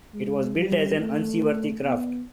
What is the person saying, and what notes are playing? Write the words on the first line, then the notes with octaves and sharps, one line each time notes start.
It was billed as an unseaworthy craft.
G#3
G3
A3
B3